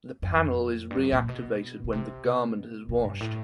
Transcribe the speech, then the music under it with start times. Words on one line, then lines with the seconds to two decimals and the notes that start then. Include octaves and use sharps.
The panel is reactivated when the garment is washed.
0.22 F#2
0.33 F2
0.91 G2
0.97 F#2
1.12 A#2
1.29 B2
1.84 B2
1.93 C3
2.25 B2
2.89 B2
3.04 G2
3.21 A2